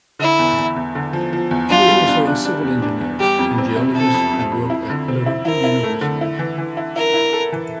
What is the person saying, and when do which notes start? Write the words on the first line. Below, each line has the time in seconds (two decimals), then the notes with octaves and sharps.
He was also a civil engineer, and geologist and worked at Liverpool University.
0.19 D3 E4
0.39 E2
0.58 E2
0.76 E2
0.95 D3
1.13 F3
1.33 F3
1.51 E2
1.69 D4 F4
1.88 G3
2.08 D4
2.27 D4
2.45 D4
2.63 E2
2.82 D4
3.01 E2
3.20 G3 G4
3.39 F2
3.58 C4
3.76 C3
3.95 C3 A4
4.14 F2
4.33 F2
4.52 F2
4.70 E4
4.90 D3
5.08 C4
5.26 E4
5.45 E4 A#4
5.64 E4
5.83 A3
6.01 D3
6.21 E4
6.39 E3
6.58 E3
6.77 E4
6.96 E4 A#4
7.14 E4
7.33 A4
7.52 E3